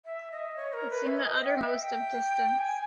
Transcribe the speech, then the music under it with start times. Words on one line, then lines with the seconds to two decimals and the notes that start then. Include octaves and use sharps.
It seemed the utter-most of distance.
0.05 E5
0.32 D#5
0.56 C#5
0.73 A#4
0.90 B4
1.07 E5
1.19 D#5
1.32 D#5
1.45 G5
1.58 E5
1.82 G5
2.58 G#5